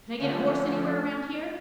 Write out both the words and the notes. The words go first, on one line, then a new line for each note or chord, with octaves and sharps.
"Can I get a horse anywhere around here?"
D3 F3 A3 C#4